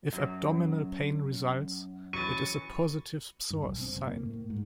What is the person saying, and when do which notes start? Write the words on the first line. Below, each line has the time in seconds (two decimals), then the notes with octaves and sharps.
If abdominal pain results, it is a "positive psoas sign".
0.13 F#2 F#3
2.13 E3 F#3 C#6 A6 D#7
3.50 G2
3.62 B1
3.82 C4
3.94 F#1
4.07 A#3
4.25 A2
4.50 G#2